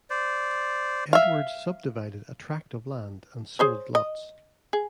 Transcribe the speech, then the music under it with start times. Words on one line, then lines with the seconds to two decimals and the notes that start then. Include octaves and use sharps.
Edwards subdivided a tract of land and sold lots.
0.10 C5 D5
1.13 E5 F5
3.59 G#4 C5 C#5
3.95 D#5
4.73 G#4